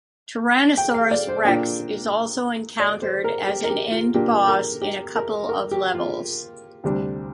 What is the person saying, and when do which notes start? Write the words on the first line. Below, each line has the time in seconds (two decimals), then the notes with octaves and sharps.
"Tyrannosaurus rex" is also encountered as an end boss in a couple of levels.
0.77 G5
0.94 F5
1.11 D5
1.28 C5
1.45 A#2 A#3 D4 G5
2.80 D5
3.02 C5
3.24 A#4
3.47 G4
3.64 A#4
3.70 G4
3.92 F4
4.14 A#2 A#3 D4 G4
4.48 A#4
4.82 G4
5.15 A#4
5.49 A#4
5.71 G4
5.94 F4
6.84 D2 C3 G3 D4